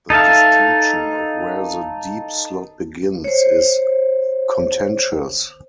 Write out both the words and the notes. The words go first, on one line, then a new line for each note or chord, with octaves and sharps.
The distinction of where the deep slot begins is contentious.
D#4 A4 E5 F5
C5 C#5